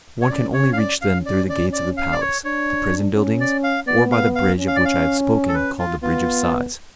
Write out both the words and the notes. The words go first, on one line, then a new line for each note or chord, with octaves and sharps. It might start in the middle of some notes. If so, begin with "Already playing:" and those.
One can only reach them through the gates of the palace, the prison buildings, or by the bridge of which I have spoken called the Bridge of Sighs.
C#5
C#4 D5
C#5
F5
D5
C#4 F5
D5
D5
D5
F5
D5
C#5
D4 C#5
C#4
D5
F5
B3 D5
F5
F5
C#4
F5
D5
F5
A4
B4
F4
B3 F4